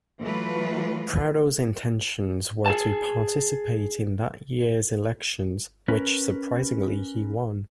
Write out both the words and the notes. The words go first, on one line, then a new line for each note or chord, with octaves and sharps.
Prado's intentions were to participate in that year's elections which, surprisingly, he won.
E3 F#3 A3 F4 B4
G#4 G#5 A5
C#4 A#4 B4